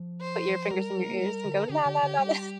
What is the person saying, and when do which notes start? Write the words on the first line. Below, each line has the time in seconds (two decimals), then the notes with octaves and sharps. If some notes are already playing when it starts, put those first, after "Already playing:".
put your fingers in your ears, and go, la, la, la, la
Already playing: F3
0.21 C5
0.70 G3 A#4
1.09 A#3
1.20 G3
1.45 D3
1.70 D3 G4
1.86 D3
2.03 D3
2.19 G3